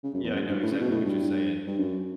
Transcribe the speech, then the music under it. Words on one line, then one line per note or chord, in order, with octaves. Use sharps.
Yeah, I know exactly what you're saying.
C#3
F#2
E2
F#2
G2
A2
C#3
B2
A2
G2
G2
F#2